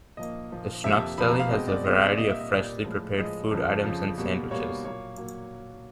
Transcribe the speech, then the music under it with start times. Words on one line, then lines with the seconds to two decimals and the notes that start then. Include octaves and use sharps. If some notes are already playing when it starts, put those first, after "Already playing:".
The Schnucks Deli has a variety of freshly prepared food items and sandwiches.
0.17 A#2 F3 A#3 D#5
0.51 A#2 F3 A#3
0.84 F2 C3 F3 A#3 E5
1.18 F2 C3 F3 A#3 B5
1.29 A#5
1.39 F5
1.51 B2 G#3 C4 D#5
1.68 D5
1.84 B2 G#3 C4 D#5
2.01 D5
2.17 A#2 G3 A#3 D#5
2.29 E5
2.40 D#5
2.51 A#2 G3 A#3 D5
2.84 A2 F3 G#3
3.18 A2 F3 G#3 D#5
3.51 F2 C#3 F3
3.84 F2 C#3 F3
4.18 B2 G3 A#3
4.51 B2 G3 A#3 C#5
4.85 A#2 F#3 A#3 C#5
5.18 A#2 F#3 A#3